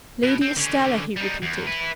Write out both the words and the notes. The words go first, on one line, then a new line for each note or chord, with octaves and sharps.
"Lady Estelle," he repeated.
B2
C4
D3 C#4
G3 D#4
E2
E4 B4